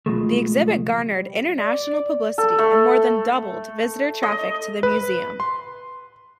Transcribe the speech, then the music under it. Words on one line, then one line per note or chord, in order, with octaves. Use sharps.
The exhibit garnered international publicity and more than doubled visitor traffic to the museum.
C#2 B2 F3 F#3 G#3 A3
G3
D5
A4
A3
D#5
B4
C6